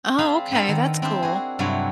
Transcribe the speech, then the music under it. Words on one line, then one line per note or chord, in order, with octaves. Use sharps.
Oh, okay, that's cool.
C4 D4 G#4 F5 B5
B3 C4 D4 A4 A#4
D#3
C4 D4 E4 G4
F#4 G#4
G2 C3 F#3 G#3 E4 F#4